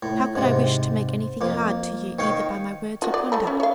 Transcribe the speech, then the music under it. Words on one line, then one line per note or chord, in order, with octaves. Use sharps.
How could I wish to make anything hard to you either by my words or conduct?
A2
G#2 C3
F2 A#3
D#3 C#5 F5 G5
F4 F#4
D5
A3 A4 B5
C#4
C#5 F5